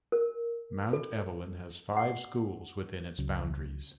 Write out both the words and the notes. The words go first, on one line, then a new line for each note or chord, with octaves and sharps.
Mount Evelyn has five schools within its boundaries.
A#4
A4
F#5
C#2 C#3 F#3